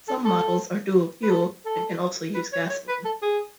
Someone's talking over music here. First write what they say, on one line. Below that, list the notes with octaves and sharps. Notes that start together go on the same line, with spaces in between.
Some models are dual fuel and can also use gasoline.
A4
A4
B4
A4
A4
B4
C#5
C#5
B4
A4
G#4